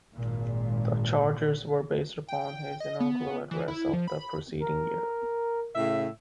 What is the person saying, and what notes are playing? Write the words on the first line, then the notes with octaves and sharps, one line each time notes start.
The charges were based upon his inaugural address of the preceding year.
G#1 A#2
G5
D#5
B3
E3
E4
F3
B5
A#4
A2 C#3 E5